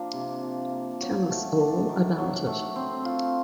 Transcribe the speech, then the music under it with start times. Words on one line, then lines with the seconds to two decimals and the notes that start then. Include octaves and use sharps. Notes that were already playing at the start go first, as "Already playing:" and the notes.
Tell us all about it.
Already playing: F3 A#3 D4
0.13 C3
0.42 F3
0.72 A#3
1.01 F#3
1.30 A3
1.60 D4
1.89 D#3
2.18 F#3
2.47 A3
2.76 C4
3.05 F4